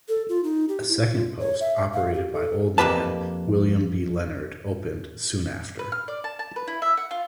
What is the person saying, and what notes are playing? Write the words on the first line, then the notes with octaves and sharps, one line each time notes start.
A second post operated by "Old Man" William B. Leonard opened soon after.
A4
F4
D#4
G4
E4
F4
C#5
E5
F5
G4
A4
F2 A#3 G4 B4 A5
B4
F6
D5
A5
A5
B4
E4
E5
F#5
F4